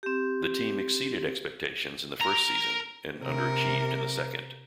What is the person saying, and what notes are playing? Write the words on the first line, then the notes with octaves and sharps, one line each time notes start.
The team exceeded expectations in the first season and underachieved in the second.
C4 G4
A#4 A#5
C3 A#4